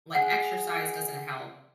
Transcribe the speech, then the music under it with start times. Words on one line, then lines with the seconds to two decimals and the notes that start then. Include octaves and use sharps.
like exercise doesn't help,
0.15 G#4 F#5